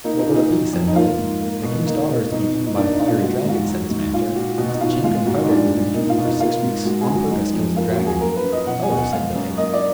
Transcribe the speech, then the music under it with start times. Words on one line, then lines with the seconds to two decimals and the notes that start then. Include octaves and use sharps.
"What will it be?" said Billy. "The king's daughter is to be eaten by a fiery dragon," said his master, "unless the champion fighter they've been feeding for six weeks on purpose kills the dragon." "Oh," said Billy.
0.04 A#3 D#4
0.19 D#4
0.28 A#2
0.35 D#4
0.50 F#3
0.73 F2
0.88 D#4
0.95 A#3 F4
1.18 G#2
1.41 A#3
1.63 B2
1.86 A#3 D#4
2.09 B2
2.32 B2 D#4
2.54 B2
2.66 D#4
2.76 A#3 D4
2.92 D#4
3.00 B2
3.08 F4
3.22 G#3 F#4
3.37 F#4
3.45 G#2 F4
3.53 F#4
3.67 F#3
3.90 G#2
4.13 A#2 F4
4.35 A#2 F#4
4.58 B2 F#4
4.74 D#4
4.81 B2 F4
5.04 G#3 F4
5.26 G#2 F#4
5.43 D#4
5.49 A#2 D4
5.72 A#2
5.94 A#3 D#4
6.09 F4
6.18 B2
6.25 D#4
6.40 A#3 F4
6.63 G#2
6.85 G#3 F#4
7.01 G#4
7.08 F#2
7.15 F#4
7.31 G#3 D#4
7.54 F2
7.76 A#3 F4
7.91 F#4
7.98 F#2
8.07 G#4
8.21 A#3 A#4
8.37 B4
8.44 F#2
8.52 D#5
8.66 B2 F#5
8.82 G#5
8.90 B2
8.97 F#5
9.12 G#3 F5
9.35 F#2
9.57 A#3 D#5
9.73 D5